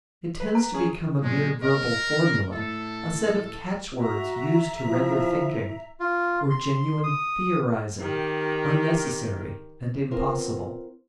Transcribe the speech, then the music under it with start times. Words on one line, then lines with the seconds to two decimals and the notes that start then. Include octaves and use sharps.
It tends to become a mere verbal formula, a set of catchwords used to render thinking, or genuine theorizing, unnecessary and impossible.
0.40 B4
0.55 A#5
0.73 C#4 G#4
1.22 A#2 D#3 F#3 G#3
1.62 A#4 D#5
2.19 C#4 B4
2.53 A2 E4 A4
3.96 F#4 E5 A#5
4.86 F3 E4
6.00 F4
6.50 C6
7.04 D#6
8.01 D#3 G4
10.11 B3 C4 F4 A#4